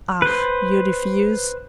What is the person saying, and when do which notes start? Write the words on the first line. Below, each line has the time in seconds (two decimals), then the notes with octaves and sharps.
Ah, you refuse?
0.22 B4 C5